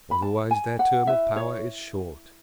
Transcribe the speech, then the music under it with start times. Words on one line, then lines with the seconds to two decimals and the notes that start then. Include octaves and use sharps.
Otherwise their term of power is short.
0.11 B5
0.22 A5
0.51 G#5
0.79 F#5
1.07 E4 B4 E5
1.36 C#5